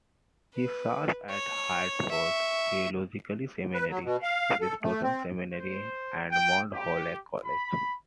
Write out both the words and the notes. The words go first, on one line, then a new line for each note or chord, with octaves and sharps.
He served at Hartford Theological Seminary, Princeton Seminary, and Mount Holyoke College.
B4
C#5
E5 C#6
B4
F#3
B2
F5
A4
A3
C4
C5
G5
G4
B5